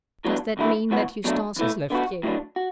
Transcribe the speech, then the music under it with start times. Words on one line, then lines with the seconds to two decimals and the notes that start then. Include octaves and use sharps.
"Does that mean that Eustace has left you?"
0.25 A2 F#3 B3 D4
0.57 D2 D3 F#3 A3 E4
0.90 B1 A2 F#3 B3 F#4
1.24 B2 F#3 A3 D4
1.56 E2 E3 A3
1.90 D3 B3 F#4
2.23 A2 F#3 D4
2.56 F#4